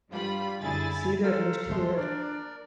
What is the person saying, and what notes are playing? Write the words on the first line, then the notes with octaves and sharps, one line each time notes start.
See their list here.
G2 G3 F4 B5
F#2 D3 E4 G#4 G#5 A6
A4 A#4 C5 F5
G#3 A3 C6
D4 A#4 D5